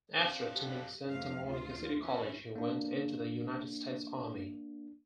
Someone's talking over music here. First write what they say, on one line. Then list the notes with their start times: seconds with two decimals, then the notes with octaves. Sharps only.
After attending Santa Monica City College, he went into the United States Army.
0.20 F#2 C4 D4 G4 D5 F5
0.55 D4 F#4 G4 A4
1.09 F2 A2 F5
1.44 D2 F4
2.01 E3 C#4
2.56 A#3 D4